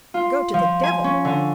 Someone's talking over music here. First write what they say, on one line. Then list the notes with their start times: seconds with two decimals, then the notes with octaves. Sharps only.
Go to the devil!
0.14 F4
0.54 F3
0.83 G#5
1.04 C#4
1.25 D3